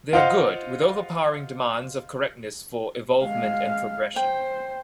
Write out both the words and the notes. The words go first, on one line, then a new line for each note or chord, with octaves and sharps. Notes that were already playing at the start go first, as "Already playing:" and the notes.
They are good, with overpowering demands of correctness for evolvement and progression.
F4 C5 D#5 F5 F#5
G#3 F5
C5 G5